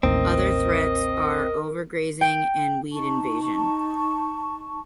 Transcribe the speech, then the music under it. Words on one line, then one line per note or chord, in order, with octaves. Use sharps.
Other threats are overgrazing and weed invasion.
A1 D#2 C4 A#4 D#5
G5
D#4 A5 C#6